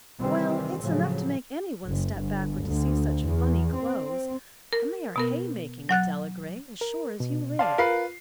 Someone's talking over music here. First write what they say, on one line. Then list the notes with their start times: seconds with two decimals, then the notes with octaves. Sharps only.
"Well, it's enough to make any one step backward to see such funny clothes; and they are hay-making, Adela Gray, as sure as you live."
0.20 C3 D#3 E3 G3 C4
0.82 A2 C#3 F3 F#3
1.86 F#1
2.19 G1
2.63 D2
3.26 E2
3.76 C4
4.73 A#4
5.16 B2 B3 A#4
5.89 F#3 F#5 F#6 A6
6.81 A#4
7.20 B2
7.59 D5 F5 A5 C6
7.78 F4 A#4 B4 C7